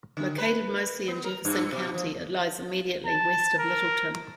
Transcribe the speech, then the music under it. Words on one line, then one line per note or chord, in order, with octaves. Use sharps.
Located mostly in Jefferson County, it lies immediately west of Littleton.
D3
B4
B3
A#4
G2
B2
F3
A5
A#4